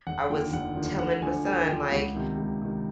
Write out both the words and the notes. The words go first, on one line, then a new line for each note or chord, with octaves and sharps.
I was telling my son, like
F1 F#5
D#2 D3 F3 G5
F1 F#5
D#2 D3 F3
D2 F#5
D3 F3 G#5
D2 G#5
D3 F3 G5
C#2 F#5
C3 D#3
C#2
C3 D#3